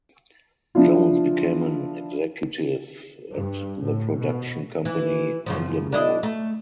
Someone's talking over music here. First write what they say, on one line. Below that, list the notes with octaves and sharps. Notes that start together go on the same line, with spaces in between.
Jones became an executive at the production company Endemol.
F3 D4 E4 F4
G2
A2
B2
E3
F#2 C#3 F3
D4 E4 D#5
A3